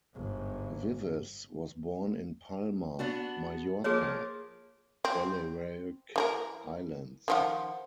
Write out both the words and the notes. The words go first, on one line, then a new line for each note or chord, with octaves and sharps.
Vives was born in Palma, Majorca, Balearic Islands.
G1 G#2
B3 D4 F#4
F3 A#3 G#4 C#5
C4
E3 G#4 A#4
D#3 F3 F#5